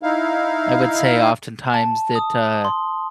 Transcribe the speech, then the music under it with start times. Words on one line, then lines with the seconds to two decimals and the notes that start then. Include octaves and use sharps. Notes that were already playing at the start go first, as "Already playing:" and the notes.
I would say oftentimes that, uh,
0.03 D#4 E4 F5
1.74 A5
2.15 D#6
2.65 C6